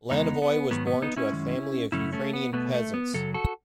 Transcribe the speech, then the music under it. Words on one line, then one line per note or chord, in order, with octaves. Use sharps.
Lanovoy was born to a family of Ukrainian peasants.
E2 C#3 G#3 B3 D#4
B3
G#2 D#3 F#3 B3
B3
B3 D#4
C#4 E4
F#2 D#3 G#3
F#2 C#3 F#3 A3 C#4 E4
A3 C#4
B3
B2 A3 B3
A3
B3
F#2 C#3 F#3 A4
F#4 A4